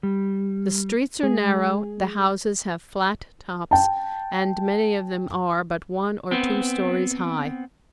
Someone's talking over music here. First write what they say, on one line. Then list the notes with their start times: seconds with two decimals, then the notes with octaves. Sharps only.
The streets are narrow, the houses have flat tops and many of them are but one or two stories high.
0.03 G3
1.23 G#3 G#4
3.71 G5 A5
6.31 B3 C4